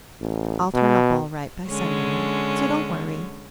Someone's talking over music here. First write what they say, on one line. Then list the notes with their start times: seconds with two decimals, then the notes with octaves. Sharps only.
I'll turn up all right by sundown; so don't worry.
0.21 A1
0.74 B2
1.68 D3 G#3 C#4